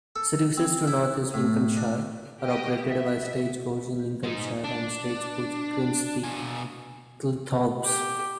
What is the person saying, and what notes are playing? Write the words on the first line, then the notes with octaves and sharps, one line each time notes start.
Services to North East Lincolnshire are operated by Stagecoach in Lincolnshire and Stagecoach Grimsby-Cleethorpes.
A4
C4
E4
A2
D4
G4 D#5
E5
G#3 D#4
D4
B2 G#5
G4